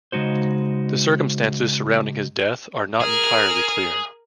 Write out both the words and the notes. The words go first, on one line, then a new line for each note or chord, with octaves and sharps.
The circumstances surrounding his death are not entirely clear.
C#3 G#3 D#4 F#4 C5
G#4 A#4 F6